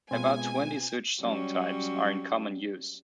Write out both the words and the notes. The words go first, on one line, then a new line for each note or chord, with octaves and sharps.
About twenty such song-types are in common use.
B2 G#3 C4 F4 B4 G#5
F#3 G3 C#4